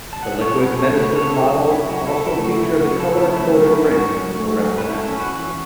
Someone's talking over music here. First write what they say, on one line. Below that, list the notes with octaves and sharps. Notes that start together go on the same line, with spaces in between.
The liquid medicine bottles also feature the color-coded ring around the neck.
A5
F#5
E5
F#3 A4 C#5
F#4 B4
C#4
A4 C#5
A3
F#4 B4
C#3 A4 C#5
E4 A4
F#3
C#4
E4
F#3 F#4
E4 A4
C#3
E4 A4
A3
F#4
C#3 E4
F#4
F#3
E4 A4
C#3
E4 A4
A3 E4 A4
F#4
F#3
E4
C#4
F#4
F#3
A3
F#3
B4
C#4 E4 A4
C#4
F#4 B4
E3